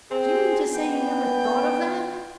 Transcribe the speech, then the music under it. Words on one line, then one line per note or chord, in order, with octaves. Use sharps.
Do you mean to say you never thought of that?
C4 G#4
E3 B3 D4 G5